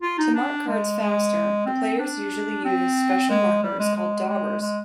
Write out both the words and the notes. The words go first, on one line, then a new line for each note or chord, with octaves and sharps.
To mark cards faster the players usually use special markers called "daubers".
F4
D#4
D4
G#3
G#3
C4
D4
C4
G#3
G3
G#3
G#3
G#3
G#3